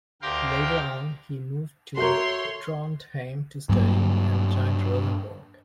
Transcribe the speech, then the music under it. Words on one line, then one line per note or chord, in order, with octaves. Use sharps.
Later on he moved to Trondheim to study, and joined Rosenborg.
D2 G4 A#4 F5 G5 C6
F#4 A4 A#4 C#5 E5 C6 G6
G2 F#3 A#3